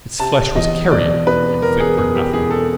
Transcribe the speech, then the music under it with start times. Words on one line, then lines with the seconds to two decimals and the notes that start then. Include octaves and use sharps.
Its flesh was carrion, and fit for nothing.
0.19 C3 A5
0.56 E2 D#5
0.91 E1 D5
1.27 E1 B4
1.62 E2 A#4
1.80 G#4
1.98 E1 G#4
2.15 G4
2.33 E1 G#4
2.51 A4